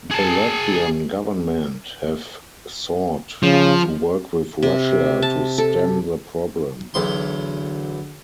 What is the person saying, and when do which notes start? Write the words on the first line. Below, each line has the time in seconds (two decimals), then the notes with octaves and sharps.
The Latvian government have sought to work with Russia to stem the problem.
0.11 G#4 A5
3.43 C#3 F3
4.63 C3
5.22 A5
5.58 A4
6.94 B1 E2 D3 C6